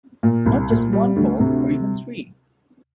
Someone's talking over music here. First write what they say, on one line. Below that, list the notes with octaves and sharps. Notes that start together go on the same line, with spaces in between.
Not just one hole, or even three.
A#2
C2
A#2
G3
D2
C3